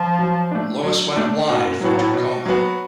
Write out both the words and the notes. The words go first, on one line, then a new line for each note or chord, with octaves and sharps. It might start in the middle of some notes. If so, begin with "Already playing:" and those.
Lewis went blind from trachoma.
Already playing: F3
F#3
A3 D4
F#3
A3 D4
G#2 B2
G#2
F#2
A2 F#3 B3 F#4
G#2
A2
B2
F#3 B3 F#4